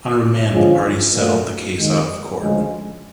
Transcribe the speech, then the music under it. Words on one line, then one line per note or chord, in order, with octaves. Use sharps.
On remand, the parties settled the case out of court.
D3 F3 G#3 C#4 F4
A#2 F#3 A3
D#2 D#3 G#3
D2 C#3 F3 G#3